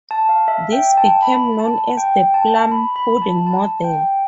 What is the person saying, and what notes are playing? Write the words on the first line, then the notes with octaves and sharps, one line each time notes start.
This became known as the plum pudding model.
A5
F5
E5
G5
A5
B5
A5
G5
A5
B5
B5
A5
A5
G5